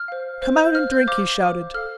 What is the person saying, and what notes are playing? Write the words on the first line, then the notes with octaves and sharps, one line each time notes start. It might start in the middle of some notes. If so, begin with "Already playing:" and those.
"Come out and drink," he shouted.
Already playing: F6
C5 F5
C5 F5
G6
C5 F5 F6
G6
C5 F5 D6
C5 F5
A4 F5 F6